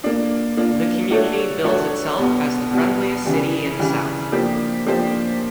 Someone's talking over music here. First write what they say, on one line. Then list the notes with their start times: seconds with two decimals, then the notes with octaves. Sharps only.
The community bills itself as "The Friendliest City in the South".
0.03 A#3 D4 F4
0.57 A#3 D4 F4
1.11 A3 D4 F#4 A4 C#5
1.64 A3 D4 F#4 A4 C#5
2.18 B2 G3 B3
2.71 B2 G3 B3
3.25 C#3 E3 G3
3.79 C#3 E3 G3
4.32 F3 A#3 D4 G4 C5
4.87 F3 A#3 D4 G4 C5